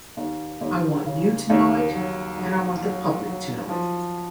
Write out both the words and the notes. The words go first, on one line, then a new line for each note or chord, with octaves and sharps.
I want you to know it, and I want the public to know it.
D#2
D#2
C#3
D#2
F#3
F#3
F#3
F#3
F3